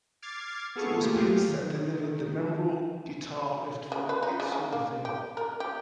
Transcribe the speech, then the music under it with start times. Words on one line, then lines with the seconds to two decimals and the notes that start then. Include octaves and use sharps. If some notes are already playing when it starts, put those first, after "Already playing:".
It was Pitts that delivered the memorable guitar riff for "It's Your Thing".
0.22 D6 F6 G#6 A6 C7
0.76 B3 G#4 A4 F5 C#6
1.00 A3 A#3 F4 G4 G#4
1.24 F#3 G4 F5
1.48 D#3
3.92 C#3
4.09 B4
4.23 D#4
4.40 C#3
4.52 C#3
4.73 A#3
5.05 G4
5.37 A#4
5.60 G4